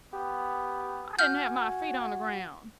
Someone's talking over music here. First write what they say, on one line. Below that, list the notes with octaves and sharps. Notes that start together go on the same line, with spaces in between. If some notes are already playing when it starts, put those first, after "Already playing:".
I didn't have my feet on the ground.
B3 G4
F#4 G#5 F6 G6